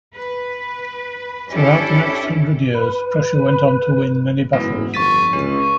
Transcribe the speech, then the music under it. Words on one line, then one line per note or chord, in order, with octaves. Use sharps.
Throughout the next hundred years Prussia went on to win many battles.
B4
C#4 D4 E4 G4 A4
B4
F#1 G#2 E3 B3
G1 F2 C#6 A6 B6 D#7
C#2 C#4